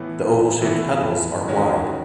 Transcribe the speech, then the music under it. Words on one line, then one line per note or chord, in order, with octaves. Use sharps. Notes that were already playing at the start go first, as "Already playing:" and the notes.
The oval-shaped petals are wide.
Already playing: A2 E3 B3 E4
A2 E3 B3 E4
D#3 G#3 C#4 F#4